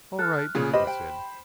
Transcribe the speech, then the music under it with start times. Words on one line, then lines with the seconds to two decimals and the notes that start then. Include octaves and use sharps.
"All right," he said.
0.19 A4 F6 F#6
0.55 A#2 C#3 G#4
0.73 G4 B4 C5 D#5 B5
0.87 G5